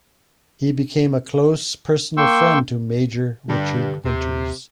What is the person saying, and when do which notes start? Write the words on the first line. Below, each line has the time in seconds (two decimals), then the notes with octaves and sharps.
He became a close personal friend to Major Richard Winters.
2.17 A#3 G5 C6 C#6 E6
3.48 G2 D3
4.04 D#2 C3